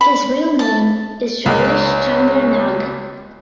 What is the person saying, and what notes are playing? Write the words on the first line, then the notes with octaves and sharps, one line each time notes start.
His real name is Shailesh Chandra Nag.
B5
A5
C#2 G#3 C#5